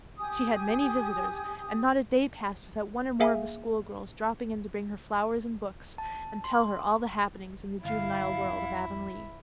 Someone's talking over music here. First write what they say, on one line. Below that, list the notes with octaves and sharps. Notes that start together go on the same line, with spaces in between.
She had many visitors and not a day passed without one or more of the schoolgirls dropping in to bring her flowers and books and tell her all the happenings in the juvenile world of Avonlea.
G4 G#5 D#6
A#3 G#4 E5 F5 G#5
A5
C6
G1 E4 F5
F2